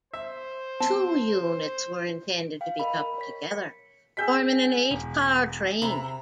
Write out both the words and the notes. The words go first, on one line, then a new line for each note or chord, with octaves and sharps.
Two units were intended to be coupled together, forming an eight-car train.
C5 E5
C4 A5
F5 G5
A#4 D#5 B5
C#5 B6
C#7
G#4 E5 G5 E6 G6 B6
E1
C3 E5 A#5 B5